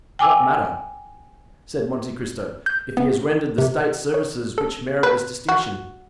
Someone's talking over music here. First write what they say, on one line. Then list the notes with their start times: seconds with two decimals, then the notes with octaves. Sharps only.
"What matter," said Monte Cristo "if he has rendered the State services which merit this distinction?"
0.19 G5 G#5 D6 E6
2.66 G6
2.97 B3
3.58 C3
4.14 C#5
4.58 A4
5.03 B4
5.49 F#4